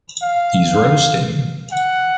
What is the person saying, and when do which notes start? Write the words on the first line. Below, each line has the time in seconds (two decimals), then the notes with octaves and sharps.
He’s roasting.
0.23 F5
1.72 F#5